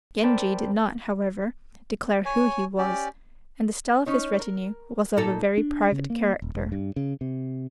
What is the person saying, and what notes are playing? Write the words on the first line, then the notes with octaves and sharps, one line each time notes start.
Genji did not, however, declare who he was, and the style of his retinue was of a very private character.
A#4 C5 D5 G5 A5 B5
C#5 G#5
C#4 G4 D5
C#4 D#4 C#5
A#4
A#2 D#4 A4
D4
C#3
A#3
D#1
E1
G2
C#3
C3